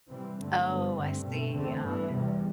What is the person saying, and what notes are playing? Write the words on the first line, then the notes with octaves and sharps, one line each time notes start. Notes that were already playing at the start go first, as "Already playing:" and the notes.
Oh, I see. Oh, okay.
C3 E3 G3 C4
G2 D3 A3 C4
G2 D3 G3 B3
G2 D3 A3 C4
B2 A3 C4
E2 D3 A3 C4
G2 E3 B3
E2 C3 G3